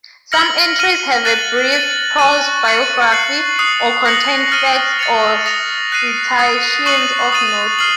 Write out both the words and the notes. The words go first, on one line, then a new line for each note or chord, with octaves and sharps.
Some entries have a brief prose biography, or contain facts or citations of note.
F6 A#6 C#7 F#7
F6 A#6 D#7 F#7
F#6 A6 D#7 F#7
A6 D#7 F#7
C#6 F#6 A6 D#7
A6 C#7 F#7
F#6 C7 F#7
D#6 F#6 C7
F#6 A#6 C#7 F#7
F6 A6 D#7
A6 C#7 F7
D#6 A#6 F7
F#6 C7 D#7
D#6 A6 C7
C#6 F#6 C7 D#7 F#7
D#6 A6 D#7 F#7
F6 C7 F#7